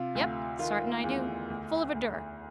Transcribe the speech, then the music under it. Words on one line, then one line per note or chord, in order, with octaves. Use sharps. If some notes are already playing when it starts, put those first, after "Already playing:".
Yup, sartin I do. Full of a dure.
Already playing: C3 F4
D2
D#3 F4
E2
D2
D2